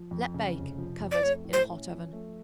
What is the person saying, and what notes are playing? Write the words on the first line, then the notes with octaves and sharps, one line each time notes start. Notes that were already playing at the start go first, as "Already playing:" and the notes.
Let bake, covered, in a hot oven.
Already playing: F3
F2
C#3
F1
F3
F2
D5
A3 C#5
A2
C5
C#4
F3
A3